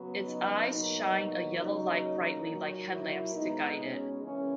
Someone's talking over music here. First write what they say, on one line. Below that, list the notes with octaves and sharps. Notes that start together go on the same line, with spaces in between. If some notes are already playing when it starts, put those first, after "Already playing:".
Its eyes shine a yellow light brightly like headlamps to guide it.
Already playing: C#3 F#3 B3
D#4
B2 F#3 A#3 D#4
C#3 F#3 A#3 D#4
A#2 F#3 A#3
E4
B2 G#3 B3 D#4
C#4
C#3 E3 A#3 C#4